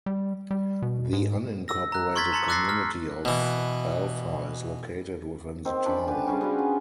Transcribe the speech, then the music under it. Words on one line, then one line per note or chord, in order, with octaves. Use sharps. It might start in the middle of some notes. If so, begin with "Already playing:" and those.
The unincorporated community of Alpha is located within the town.
G3
G3
B2
G#2
E6 A#6
A#5 F#6
C6 C#6 F6 G#6 A6 B6
A5 A#5 C6 A6 C#7
D6 E6 F#6 A6 A#6 C7
F6
B2 E3
D#3 C4
C#4 D4 F4 B5
D3 G4 B4 C5
C#3 G3 C#4 D4
B3 F#4 G#4 F5
F4